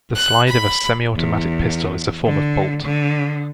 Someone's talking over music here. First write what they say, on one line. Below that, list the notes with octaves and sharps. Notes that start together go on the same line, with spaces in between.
The slide of a semi-automatic pistol is a form of bolt.
F#6
B5
E2
D3
D3